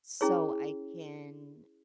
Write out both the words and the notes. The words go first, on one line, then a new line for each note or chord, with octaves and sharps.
so I can
C#4 E4 G#4 C#5